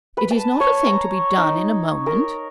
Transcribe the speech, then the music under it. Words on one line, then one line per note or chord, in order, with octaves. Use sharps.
'It is not a thing to be done in a moment.'
B4
A5
C#5
A#5
D#4
A#4